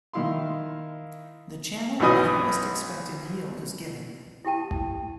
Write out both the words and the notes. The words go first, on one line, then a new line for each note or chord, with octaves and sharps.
The channel with the highest expected yield is given.
D#3 D#4 E4 F5 C6
B1 B2 E3 D#4 D#6
E4 G4 G5 A5